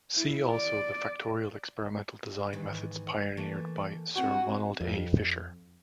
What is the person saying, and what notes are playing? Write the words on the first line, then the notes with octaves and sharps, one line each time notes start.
See also the factorial experimental design methods pioneered by Sir Ronald A. Fisher.
E4
D5
G#2 D#3 E3
E3 A3 A#3
C4 E4 F#4 G#5
F2